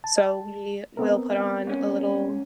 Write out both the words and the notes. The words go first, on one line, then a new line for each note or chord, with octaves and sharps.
So, we will put on a little
A5
B3 C4 A#4
G#2 C#4